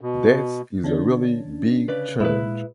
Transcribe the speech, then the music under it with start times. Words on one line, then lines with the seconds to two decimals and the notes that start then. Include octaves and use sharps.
Death is a really big change.
0.01 B2
0.84 D3 C#4 D4
1.88 C#3 B4 D5
2.20 A#2 G#3 E4 B4